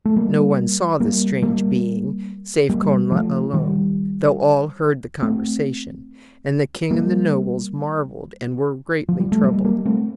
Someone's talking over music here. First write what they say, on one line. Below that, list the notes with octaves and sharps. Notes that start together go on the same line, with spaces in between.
No one saw this strange being save Connla alone, though all heard the conversation: and the king and the nobles marvelled, and were greatly troubled.
A3
G3 A#3
G3 A#3
G3 A#3
G3 A#3
F3 A3
D#3 G3
A3 C4
G3 A#3
F3
G3
A3
G3 A#3
G3 A#3
A3 C4